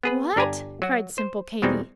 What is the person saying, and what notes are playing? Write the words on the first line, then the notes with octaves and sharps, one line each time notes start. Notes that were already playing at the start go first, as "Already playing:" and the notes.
"What!" cried simple Katy.
B3 G#4 B4
G1 D4 G4 D5 G#5 A#5
F#3 F#4
C5
E2 B2 G3 G#3 C4 D#4